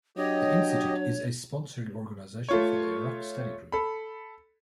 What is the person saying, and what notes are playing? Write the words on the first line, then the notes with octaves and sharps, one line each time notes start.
The institute is a sponsoring organization for the Iraq Study Group.
F#3 D4 G4 C#5 D#5
A3 F4 C#5
A4 B5